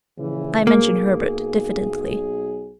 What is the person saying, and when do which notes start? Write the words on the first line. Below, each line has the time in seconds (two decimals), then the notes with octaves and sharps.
I mentioned Herbert diffidently.
0.17 A#1 C#3 E3
0.67 B1 A#3 G#4